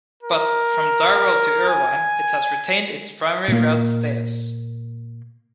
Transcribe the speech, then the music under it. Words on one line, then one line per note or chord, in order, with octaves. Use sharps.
But, from Darvel to Irvine, it has retained its primary route status.
A#4
G#5
A#2 A#3